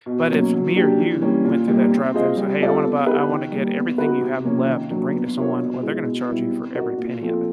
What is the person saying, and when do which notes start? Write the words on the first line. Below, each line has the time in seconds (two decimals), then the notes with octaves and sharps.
But, if me or you went through that drive-thru and say, "Hey, I wanna buy I wanna get everything you have left and bring it to someone," well, they're gonna charge you for every penny of it.
0.06 B2
0.30 F#3 A#3 C#4
0.52 F#3
0.76 A#3 D4 G4
0.99 E3
1.21 G3 A#3 C#4
1.45 A#2
1.68 G3 A#3 D#4
1.91 C4
2.14 F4 G#4 C5 D#5
2.37 G3
2.60 C4 F4 A4 D5
2.83 B3
3.06 D#4 G4 B4
3.29 D#3
3.52 G3 A#3
3.75 B3
3.98 D#4 F#4 B4
4.21 C3
4.44 F3 A#3 C#4
4.67 D#3
4.90 F#3 A#3 D4
5.13 B3
5.36 D4 F4 A#4 C#5
5.59 B2
5.83 G#3 B3 E4
6.05 B2
6.29 G3 B3 E4
6.52 C4
6.74 D#4 F#4 A#4 D5
6.98 A#2
7.21 F3 A3 C4 F4